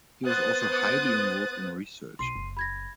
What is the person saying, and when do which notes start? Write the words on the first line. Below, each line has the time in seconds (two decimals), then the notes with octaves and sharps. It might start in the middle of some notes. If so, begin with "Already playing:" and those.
He was also highly involved in research.
0.25 B3 C5 D#6 F#6 A6
2.19 B1 C6 C7 D#7
2.35 F#1
2.57 B5 G#6 A#6